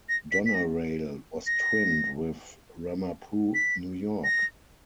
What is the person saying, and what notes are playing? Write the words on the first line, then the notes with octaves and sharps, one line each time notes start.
Doneraile was twinned with Ramapo, New York.
A#6
B6
B6
A#6
A#6
B6
A#6